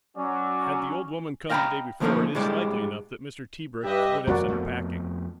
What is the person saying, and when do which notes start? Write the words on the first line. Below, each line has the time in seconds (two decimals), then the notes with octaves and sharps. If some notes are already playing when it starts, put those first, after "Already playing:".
Had the old woman come the day before it is likely enough that Mr. Tebrick would have sent her packing.
0.17 F#3 C#4 D5
1.50 D#5 F5 G5 G#5 A#5 B5
2.00 D3 F3 A3 A#3 C#4 D#4
2.35 A2 G3 G#3 D4
3.84 G2 G4 B4 D#5 E5
4.27 F2 G3 A3 A#3 F#4 D5
4.48 F2 A3 B3